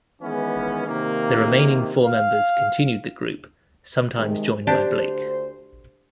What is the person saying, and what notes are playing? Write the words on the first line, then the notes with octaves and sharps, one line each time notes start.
The remaining four members continued the group, sometimes joined by Blake.
D#3 E3 G#3 B3 C#4
C3 D#3 A#3
F5
C3 D#3 G#3
D2 D3 D4 G4 C5